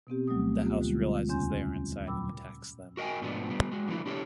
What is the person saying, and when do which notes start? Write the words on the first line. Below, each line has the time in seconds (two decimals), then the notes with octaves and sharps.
The house realizes they are inside and attacks them.
0.07 B2 B3 C4 G4
0.27 D2 F#3 G3 A3 D#6
0.61 B3 F4 G4
0.81 D3 G3 G#3 F4
1.29 E2 C#3 C#4 G#5 C6 G6
2.06 A#2 F#3 G5 B5 D6 E6
2.97 F#4 A#4 D#5 E5 G5 G#5
3.22 G#2 B2 F3 A3 B3 D4
3.50 G3 B3
3.72 G#3 F#4
3.88 D3 F3 A3 E4
4.06 D4 G4 A4 B4 C#5